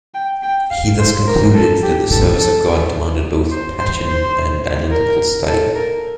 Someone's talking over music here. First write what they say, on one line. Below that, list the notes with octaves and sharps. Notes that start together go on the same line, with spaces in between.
He thus concluded that the service of God demanded both passion and analytical study.
G5
G5
F5
C5
A#4
A4
G4
A4
A4
C5
C5
C5
A#4
A4
A#4